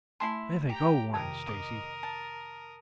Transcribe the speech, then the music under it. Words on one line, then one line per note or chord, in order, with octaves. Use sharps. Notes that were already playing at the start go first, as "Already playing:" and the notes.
"There they go," warned Stacy.
A3 E4 E5 G#5 A5 C6
G4 G5 A#5
F2 C3 D#3 A#4 D#6
D#5 D6
A5